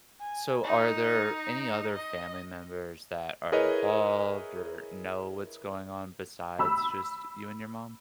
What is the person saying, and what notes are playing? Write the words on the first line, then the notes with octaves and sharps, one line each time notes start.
so are there any other family members that are involved or know what's going on besides just you and your mom?
G#5
D#4
D#5
E4 G#4 A#4 B4 C#5 D#5
B5 E6